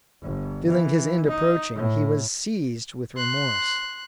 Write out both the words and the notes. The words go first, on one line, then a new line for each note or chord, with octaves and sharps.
Feeling his end approaching, he was seized with remorse.
G1
E3
D#4
A2
C6 F#6